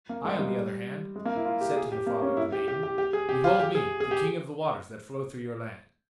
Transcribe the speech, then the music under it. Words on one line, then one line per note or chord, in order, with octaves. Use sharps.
I, on the other hand, said to the father of the maiden, 'Behold me, the king of the waters that flow through your land.
A#3
G#3
G3
G#3
A#3
E4
F4
G4
G#4
G4
A#3
C#4
E4
G4
G4
G4
G4
G#4
G4
F4
G4
G#4
G#4
G4